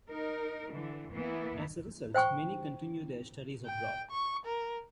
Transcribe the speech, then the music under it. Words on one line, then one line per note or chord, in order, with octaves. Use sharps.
As a result, many continue their studies abroad.
D#4 A#4
D3 E3
E3 A#3 B3 E4
C5 G5 G#5 C#6
G5
C#6
A#4